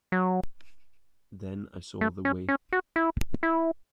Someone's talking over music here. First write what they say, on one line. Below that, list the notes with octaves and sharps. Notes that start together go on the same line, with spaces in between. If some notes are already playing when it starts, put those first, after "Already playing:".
Then I saw the way.
F#3
A3
C#4
C#4
F#4
E4
E4